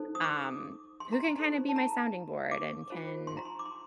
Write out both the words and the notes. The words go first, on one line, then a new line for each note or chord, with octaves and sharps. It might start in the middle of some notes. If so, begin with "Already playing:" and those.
um, who can kinda be my sounding board and can
Already playing: D#4 A4 C5
D#6
D6
C6
A#5
C6
D#4 A4 C5
A5
A#5
D6
F4 C5
C6
A#5
C6
D6
C6